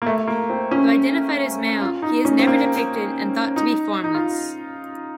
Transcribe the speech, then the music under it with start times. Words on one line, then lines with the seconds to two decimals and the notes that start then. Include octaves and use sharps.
Though identified as male, he is never depicted, and thought to be formless.
0.02 A#3
0.07 A3
0.27 A#3
0.50 C4
0.71 C#4
1.81 F4
2.02 D#4
2.25 C#4
2.39 C4
2.47 A#3
3.56 D#4
4.04 D#4
4.14 F4